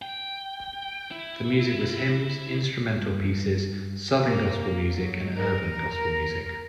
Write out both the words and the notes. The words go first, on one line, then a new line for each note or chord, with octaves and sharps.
The music was hymns, instrumental pieces, southern gospel music, and urban gospel music.
G5
E4
G2
A#3
F#3
A#4